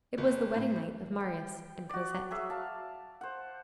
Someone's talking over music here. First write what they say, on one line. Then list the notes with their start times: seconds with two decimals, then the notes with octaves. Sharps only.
It was the wedding night of Marius and Cosette.
0.18 F#1
0.54 A2
1.20 G5
1.89 F#4 D5
2.31 F#3 G#4 E5
2.50 F5 A5
3.21 C5 F#5